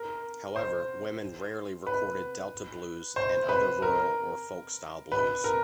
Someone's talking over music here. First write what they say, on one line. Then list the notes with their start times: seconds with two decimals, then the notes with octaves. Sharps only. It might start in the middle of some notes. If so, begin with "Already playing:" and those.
However, women rarely recorded Delta blues and other rural or folk-style blues.
Already playing: A#4
0.56 C5
1.87 B4
3.16 C5
3.49 B4
3.82 A#4
5.12 B4
5.44 A#4